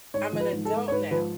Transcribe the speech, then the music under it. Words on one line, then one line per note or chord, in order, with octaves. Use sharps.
I'm an adult now
G#2 C#5
F3
B4
G#2
A4
G#3
C#5
G#2 B4
F3 B4